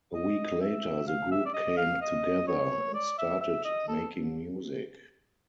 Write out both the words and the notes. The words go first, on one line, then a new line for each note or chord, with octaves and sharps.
A week later, the group came together and started making music.
D#5
E5
F5
E5
D5
D#5
F5
D#5
C#5
D5
E5
E5
D#5
A4